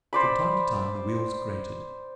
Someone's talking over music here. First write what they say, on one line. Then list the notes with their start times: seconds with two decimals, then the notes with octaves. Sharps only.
From time to time the wheels grated.
0.13 C5 D5 B5